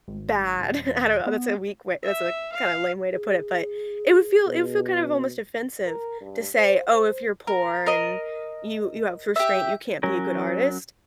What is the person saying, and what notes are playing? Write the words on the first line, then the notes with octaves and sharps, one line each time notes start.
bad, I don't know, that's a weak way that's a kinda lame way to put it, but it would feel it would feel kind of almost offensive to say, "Oh, if you're poor and you you have restraint, you can't be a good artist,"
G#1
D#1
B3
E5
F5
G#4
B2
A#4
G2
C5
C5
A#4
A#4 D#5
G4 E5
F#3 C#4 A#4